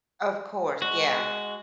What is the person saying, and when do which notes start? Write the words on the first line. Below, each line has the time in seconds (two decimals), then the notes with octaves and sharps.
Of course, yeah.
0.82 G#3 F#4